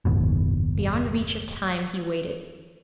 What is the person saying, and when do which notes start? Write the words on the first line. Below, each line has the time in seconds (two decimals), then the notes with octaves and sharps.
Beyond reach of time he waited.
0.05 F#1 D#2 G#2 B2